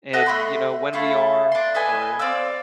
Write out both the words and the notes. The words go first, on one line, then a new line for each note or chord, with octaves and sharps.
And, you know, when we are, we're
A4 D#5 E5 F#5
A3 G4 B5 C6
A3 E4 F4 A4
D4 C6
A4 B4 D#5 G#5
C4 D5 F5 E6